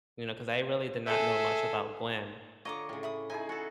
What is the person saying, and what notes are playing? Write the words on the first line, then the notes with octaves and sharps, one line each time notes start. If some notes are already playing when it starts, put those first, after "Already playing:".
you know, 'cause I really did not know much about Gwen,
G#4 A4 E5
D3 F4 C#5 D#5 A#5 D6
A2 C#3
E5 B5 D#6
D#4 E4 G#4 G#5
F#4 A4